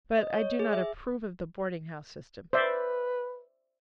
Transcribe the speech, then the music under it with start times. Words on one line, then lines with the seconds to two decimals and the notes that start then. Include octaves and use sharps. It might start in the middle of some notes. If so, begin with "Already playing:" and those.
But I do not approve of the boarding-house system.
0.18 D#5
0.34 C#5
0.59 G#4
0.73 E5
2.53 B4 C5 D5 E5